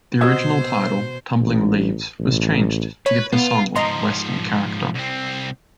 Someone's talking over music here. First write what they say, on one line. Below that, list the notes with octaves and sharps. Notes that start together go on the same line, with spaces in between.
The original title "Tumbling Leaves" was changed to give the song a western character.
B2 F#4 C5 D#5 D#6 E6 G#6
A1
A1
B4 C#5
B3 F4
G#2 F3 D#5 A#5 C6
C2 C4